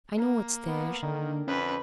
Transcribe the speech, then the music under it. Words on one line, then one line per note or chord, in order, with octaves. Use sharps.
I know what's there.
A#3
B3
D3 D#3
F2 C#4 B4